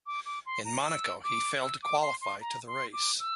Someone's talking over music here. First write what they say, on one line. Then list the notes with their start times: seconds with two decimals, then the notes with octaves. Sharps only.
In Monaco he failed to qualify to the race.
0.06 D6
0.26 D6
0.46 C6
0.65 A#5
0.85 E6
1.24 D6
1.63 E6
1.83 D6
2.02 C6
2.21 C6
2.41 A#5
2.67 C6
2.93 D6
3.20 E6